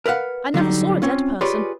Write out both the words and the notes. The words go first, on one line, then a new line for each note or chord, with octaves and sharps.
'I never saw a dead person.
A#4 B4 F5 F#5
D3 F#3 G3 D#4
C4 C#4 F4
F4 G4 G#4 B4 C#5 D5